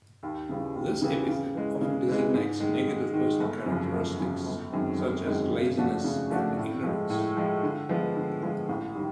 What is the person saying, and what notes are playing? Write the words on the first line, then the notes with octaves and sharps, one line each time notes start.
This epithet often designates negative personal characteristics, such as laziness and ignorance.
D#2
C#3 E3 G3
D#2
C#3 E3 G3
C#3
E3 G#3
C#3
E3 G#3
G#2
D#3 G#3
G#2
D#3 G#3
G1
F#2 C#3 F3
G1
F#2 C#3 F3
G1
F#2 D#3 G#3 C4
G1
F#2 D#3 G#3 C4
C#3
F3 A3 D4 F#4
C#3
F3 A3 D4 F#4
A2
F3 G#3
A2
F3 G#3
D3
F3 G#3 B3
D3
F3 G#3 B3
A1
D#3 G3